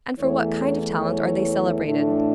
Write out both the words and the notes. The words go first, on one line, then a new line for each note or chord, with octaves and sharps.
And for what kind of talent are they celebrated?
E2 E3 A3 C#5
C#5
C#5
A2 E3 A3 D4